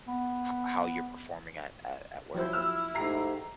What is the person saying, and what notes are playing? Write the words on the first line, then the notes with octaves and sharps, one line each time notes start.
h how you're performing at at at work?
B3
F3 F#3 E4 C5
E6 F6
G#2 A3 G4 A#5 C7